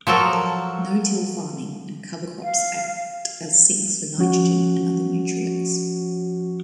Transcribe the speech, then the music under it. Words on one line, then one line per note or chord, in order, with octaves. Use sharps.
No-till farming and cover crops act as sinks for nitrogen and other nutrients.
F3 F#3 A4 A#4
F5
F3 C#4 F#4